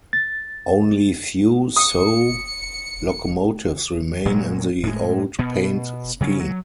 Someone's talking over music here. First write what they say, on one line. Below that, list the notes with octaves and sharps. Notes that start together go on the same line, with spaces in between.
Only few Soo locomotives remain in the old paint scheme.
A6
D#6 C#7
A#2 F#3 G#3
A2 G#3
B2 B3
C#3 F#3 C4 C#4
F#3